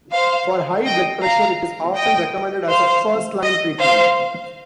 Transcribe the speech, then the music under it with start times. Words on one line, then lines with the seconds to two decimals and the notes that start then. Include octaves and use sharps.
For high blood pressure it is often recommended as a first line treatment.
0.13 C5 F5
0.85 D#5 G5
1.22 F5 A#5
1.96 D#5 G5
2.70 C5 F5
3.43 D#5
3.79 C5 F5